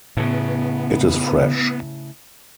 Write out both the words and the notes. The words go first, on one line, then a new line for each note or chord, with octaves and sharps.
It is fresh.
A2 C#3 B3